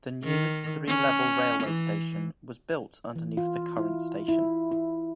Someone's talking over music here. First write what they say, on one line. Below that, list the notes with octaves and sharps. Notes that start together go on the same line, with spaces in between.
The new, three-level, railway station was built underneath the current station.
D#3
C#4
E3
E3
F4
E4
E4
E4